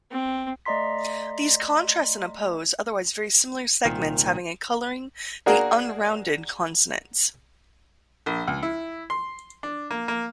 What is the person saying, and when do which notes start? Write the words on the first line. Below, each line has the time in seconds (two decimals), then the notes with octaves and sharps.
These contrast and oppose otherwise very similar segments having or coloring-the "unrounded" consonants.
0.12 C4
0.66 A3 D5 D#5 A#5 C6 B6
3.86 C2 A#2 D#3
5.46 A#3 D4 F#4 G#4 A#4
8.26 A#1
8.47 C#2
8.63 E4
9.10 C6
9.63 D4
9.90 A#3
10.08 A#3